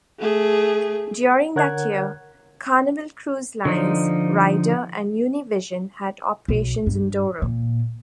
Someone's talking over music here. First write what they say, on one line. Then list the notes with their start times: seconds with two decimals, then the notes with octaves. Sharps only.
During that year Carnival Cruise Lines, Ryder, and Univision had operations in Doral.
0.19 A3 G#4
1.56 D3 A#4 C#5 F#5 F#6 G#6
3.65 D3 F3 D#4
6.48 B1
6.86 G2
7.42 A#2